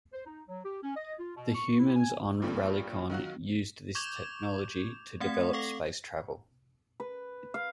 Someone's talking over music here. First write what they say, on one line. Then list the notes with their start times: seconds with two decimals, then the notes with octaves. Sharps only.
The humans on Raylicon used this technology to develop space travel.
0.12 C5
0.26 D#4
0.48 F#3
0.65 G4
0.83 C#4
0.96 D#5
1.19 F4
1.36 B2
1.54 C#6
1.78 E4
1.96 G#5
2.42 G2 A#2 F3 G3 A3 C4
3.10 D#3 F#3 F4 F#4
3.95 C#6 D6 G6 G#6 E7 F7
5.20 A3 C4 F#5 G#6
5.53 A4 F5 C#6
7.00 B4
7.54 F5